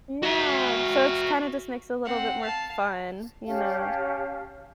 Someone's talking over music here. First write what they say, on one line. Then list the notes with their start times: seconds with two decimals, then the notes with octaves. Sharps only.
Yeah. So it's kinda just makes it a little bit more fun, you know.
0.23 F#4 E5
2.05 C4 F#5
2.41 F5 A5
3.46 C#4 G4 F5 A5